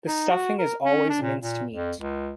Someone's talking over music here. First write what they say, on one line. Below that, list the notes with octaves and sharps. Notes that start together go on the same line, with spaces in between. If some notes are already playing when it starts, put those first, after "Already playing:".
The stuffing is always minced meat.
D#4
F#4
A#4
C#4
D4
A#2
A#2
F2
C#2